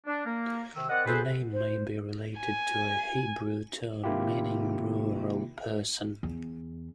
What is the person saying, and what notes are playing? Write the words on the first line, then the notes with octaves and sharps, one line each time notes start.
The name may be related to a Hebrew term meaning rural person.
D4
A#3
C3 D#3 E6
C4 A#4 D5 D#5 F#5
G#4 A4 B4 C5
C5
G#5
C3 D#3 A#3 E4 F4 G4
E2